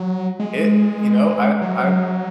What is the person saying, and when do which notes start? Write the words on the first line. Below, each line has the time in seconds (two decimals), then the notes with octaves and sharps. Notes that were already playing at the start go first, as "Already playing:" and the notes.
it you know, I I,
Already playing: F#3
0.39 G#3
1.62 F#3